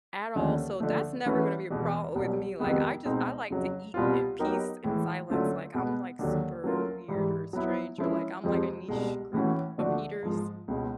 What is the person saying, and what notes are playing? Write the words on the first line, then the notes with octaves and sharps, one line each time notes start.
at all, so that's never gonna be a problem with me, like, I just I like to eat in peace and silence, like, I'm like super weird or strange or like I'm like a niche group of eaters.
D#2 D3 F3 A3 C#4
D3 F3 A3
E3 A3 C#4 F#4 B4
E2 B2 G#3
C2 B2 F#3
F2 C3 D#3 G#3 B3
B2 G#3 C4 D#4
F2 C#3 F#3
C2 B2 G3 C4 F4
F#3 B3 D#4 G4 A#4
A2 E3 G#3
D3 F#3 A3 C#4 F4
B2 G#3 B3
D#2 D3 F#3
F#3 A3 C#4 F4 A#4
G#2 E3 G3
F#3 B3 E4
F3 G#3 C#4 E4 G#4
F2 C3 F3 G#3 C4
C2 B2 G#3
A2 E3 A3 C#4 F#4
D3 F3 A3 D4 F#4
G#2 F3 G#3
C#2 B2 G#3